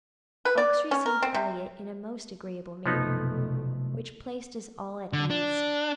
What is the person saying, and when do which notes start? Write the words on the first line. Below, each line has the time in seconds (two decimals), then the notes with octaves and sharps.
Oakes received Elliott in a most agreeable manner, which placed us all at ease.
0.45 B4
0.58 D5
0.91 C#4
1.06 A#4
1.22 C4
1.34 C3
2.86 F#1 B1 C3 F3 A3 B3 D#4
5.13 D3
5.30 D4